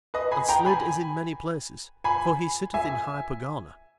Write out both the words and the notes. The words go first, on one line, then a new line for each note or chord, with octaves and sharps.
And Slid is in many places, for he sitteth in high Pegana.
B4 D#5
G#5 B5
G5 A#5
G#5 B5
G#5 B5
E5 G#5